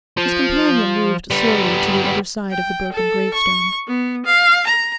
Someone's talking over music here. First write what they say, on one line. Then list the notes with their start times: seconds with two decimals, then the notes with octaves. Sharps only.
His companion moved slowly to the other side of the broken gravestone.
0.18 F3
1.31 G3 B3
2.50 G5
2.92 A4
3.33 C#6
3.87 B3
4.25 F5
4.66 A#5